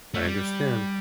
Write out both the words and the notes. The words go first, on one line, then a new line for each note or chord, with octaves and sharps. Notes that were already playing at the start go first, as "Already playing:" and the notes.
I understand.
A3
G3